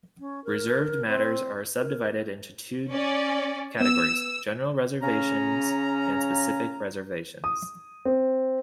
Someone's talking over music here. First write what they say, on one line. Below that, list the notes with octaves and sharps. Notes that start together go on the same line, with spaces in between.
Reserved matters are subdivided into two categories: General reservations and specific reservations.
C#4
A#4
C4
A#4
C#4 D5
B3 E6
C#3 C#4 A#5
D#6
C4